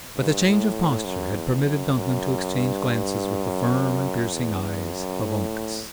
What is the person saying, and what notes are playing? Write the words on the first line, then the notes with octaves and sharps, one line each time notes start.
But the change of posture had permitted Duncan to exchange glances with the firm and piercing eyes of Uncas.
G2
A2
F#2
E2
F#2
F#2
G2
F#2
E2
F#2
A2